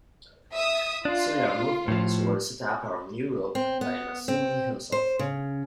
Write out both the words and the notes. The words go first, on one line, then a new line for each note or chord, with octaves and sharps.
Similar movements were set up around Europe by Mazzini himself.
E5 D#6
D4 F4
A2 F3
C4
B3
C4
C5
C#3